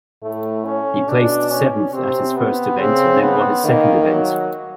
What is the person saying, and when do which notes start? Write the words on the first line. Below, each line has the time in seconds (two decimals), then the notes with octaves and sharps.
He placed seventh at his first event and then won his second event.
0.23 A2 A3
0.65 C#4
1.08 B2 D4
1.51 C#4
1.93 C3 C4
2.36 B3
2.79 C#3 C4
3.22 B3
3.64 D#3 A#3
4.08 F#3